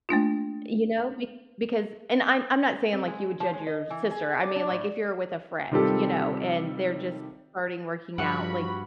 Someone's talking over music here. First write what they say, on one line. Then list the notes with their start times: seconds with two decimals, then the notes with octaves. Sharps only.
eh, you know? Be because and I'm I'm not saying, like, you would judge your sister, I mean, like, if you're with a friend, you know, and they're just starting working out, like,
0.09 A3 A#3 D4 F4
2.93 C4
3.07 G#3
3.40 F3
3.53 G#3
3.67 D#5
3.90 E3
4.11 G#4
4.42 D5
4.56 D4
4.70 A2
5.71 C3 D#3 G3 F4 G4 A4
8.18 G2 F3 F#4 B5 C#6